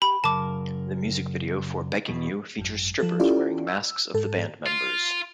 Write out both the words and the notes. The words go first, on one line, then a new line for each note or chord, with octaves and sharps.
The music video for "Begging You" features strippers wearing masks of the band members.
G4 B5
F#2 C#3 A#4 A5 D6
E2 B2
G#1 F#2
F3 A4
C#4 E4 F4 G4 A4 D5
E6
G#2 A4
F4